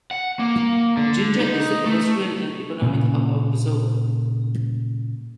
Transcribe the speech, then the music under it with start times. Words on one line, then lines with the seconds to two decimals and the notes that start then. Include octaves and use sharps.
Jinja is the industrial and economic hub of Busoga.
0.11 F#5
0.39 A#3
0.97 D3
1.40 D#4
1.86 A3
2.82 A#2 C#3